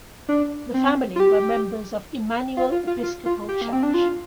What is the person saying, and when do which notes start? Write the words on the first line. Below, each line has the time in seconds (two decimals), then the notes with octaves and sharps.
The family were members of Immanuel Episcopal Church.
0.29 D4
0.74 C4
1.16 F4
1.20 G4
2.57 F4
2.72 F4
2.87 F4
3.03 F4
3.26 F4
3.49 G4
3.61 A#3
3.73 C4
3.83 D4
3.94 F4